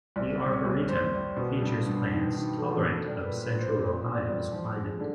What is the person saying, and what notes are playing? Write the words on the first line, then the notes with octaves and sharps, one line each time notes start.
The Arboretum features plants tolerant of central Ohio's climate.
C2 D5
G3
C#5
C2
C2 C5
G3
B2
G2
G2
D#3
D#3
A3
A3
G3 A#4
B4
A#2
B4
A#2
C5
A#2
A#2
D5
G3
F3
G#3
D3